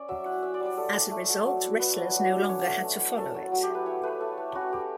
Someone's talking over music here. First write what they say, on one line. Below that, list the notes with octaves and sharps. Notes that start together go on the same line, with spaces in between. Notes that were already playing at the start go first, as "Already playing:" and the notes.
As a result, wrestlers no longer had to follow it.
Already playing: C#4 D5
F#3 E5
E4 F#5
C#4 E5
D5
G3
D5
G3 A4
E4
A3
F#3
F#3
E4
B3 B4
F#3
F#3
D4
C#4 C#5
A3
A3
E4
C#4 A4
F#3
F#3
G4
E4
B4
E4 C#5
A3 B4
E4 A4
A3
C#4 F#4
A3 G4